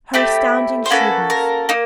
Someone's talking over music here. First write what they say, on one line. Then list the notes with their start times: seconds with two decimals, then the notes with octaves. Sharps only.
Her astounding shrewdness!
0.14 A3 C4 E4 G4
0.86 C5
0.90 A#3 C#4 F#4 A4 B4
1.30 A#4
1.69 A#3 D#4